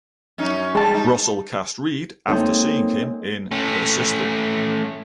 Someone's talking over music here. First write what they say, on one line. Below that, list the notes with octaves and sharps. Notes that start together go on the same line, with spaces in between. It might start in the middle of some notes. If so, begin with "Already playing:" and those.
Russell cast Reed after seeing him in "The System".
F#2 C#4 D#4
G3 G#3 A5
D#4
G#3 A#3 C4 D#4 A4 C#5
A3 C#4